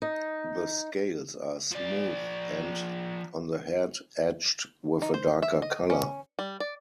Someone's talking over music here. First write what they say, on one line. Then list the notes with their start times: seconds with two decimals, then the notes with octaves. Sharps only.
The scales are smooth and, on the head, edged with a darker colour.
0.02 D#4
1.72 F3 D5
5.02 D#4
5.14 C5
5.42 E5
5.62 D#5
5.90 C#4
6.39 G3
6.60 D5